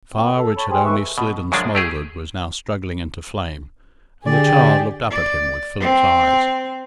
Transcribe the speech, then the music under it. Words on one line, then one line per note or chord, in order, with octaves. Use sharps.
The fire, which had only slid and smouldered, was now struggling into flame, and the child looked up at him with Philip's eyes.
A#2 C4
A4
C#5 A5 B5
G4 G#4 C5
D#3 A3 B4 E5 C#6
B2
F#2 C#3 F3 G#3 D4
A3 G4 G#4
D3 G4 G#4 D5
D5
C4